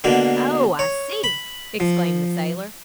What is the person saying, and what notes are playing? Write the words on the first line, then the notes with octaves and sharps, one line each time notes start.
"Oh, I see!" exclaimed the sailor.
B2 D3 A#3
C#5
B5
F3